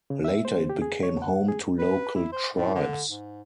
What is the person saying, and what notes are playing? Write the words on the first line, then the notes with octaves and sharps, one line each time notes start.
Later it became home to local tribes.
C#3
E5
C5
G4
G#4
C#5
F#5
G#4
B4
E4
C5
A2
D3
G#2